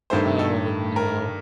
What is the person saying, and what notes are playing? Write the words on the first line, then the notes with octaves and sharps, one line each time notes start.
Oh no.
G2 D#3 A3 C5
A4
A#4